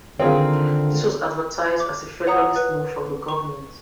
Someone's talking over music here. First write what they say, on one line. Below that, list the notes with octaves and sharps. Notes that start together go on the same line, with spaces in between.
This was advertised as a federalist move from the government.
D3 D#3 C4 F4 G#4 A#4 F5
D6
C#5 F#5 A#5 D#6
B4
C#6